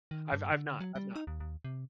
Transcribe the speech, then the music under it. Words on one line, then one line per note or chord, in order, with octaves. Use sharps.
I've I've not I've not.
D#3
G2
D3
F#3
G3
D#4
D#2
D#2
C3